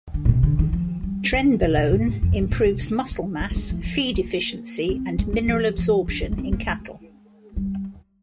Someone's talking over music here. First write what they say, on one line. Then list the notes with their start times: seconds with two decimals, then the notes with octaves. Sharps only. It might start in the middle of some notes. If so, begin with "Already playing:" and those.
Trenbolone improves muscle mass, feed efficiency, and mineral absorption in cattle.
0.14 D3
0.25 A#2
0.29 C3
0.43 D3
0.59 D#3
0.73 F3
1.03 G3
1.33 D#3
1.63 C3
1.77 C3
1.92 G#2
2.08 G#2
2.22 F2
2.32 G2
2.42 G#2
2.51 A#2
2.66 C3
2.81 D3
3.11 A#3
3.40 A#3
3.51 A#3
3.56 G#3
3.70 F3
3.85 F3
4.15 A#3
4.89 C4
5.19 G#3
5.33 G#3
5.48 F3
5.78 F3
6.08 D4
6.22 D4
6.32 A#3
6.38 C4
6.52 A#3
6.68 G#3
7.56 G3